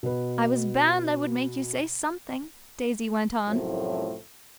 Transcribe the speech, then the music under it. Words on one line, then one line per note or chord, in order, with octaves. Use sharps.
"I was bound I would make you say something," Daisy went on.
B2 B4
C2 F#2 A2 F3 F#3 A3